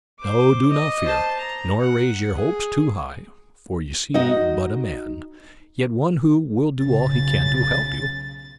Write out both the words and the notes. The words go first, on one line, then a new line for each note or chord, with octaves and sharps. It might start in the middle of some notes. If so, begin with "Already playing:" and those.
No, do not fear--nor raise your hopes too high; for you see but a man, yet one who will do all he can to help you.
C5 D6
D#5
C5 A5
A#5
F#5
G#4
D#4 F#4 D#5
B1 C#3 A6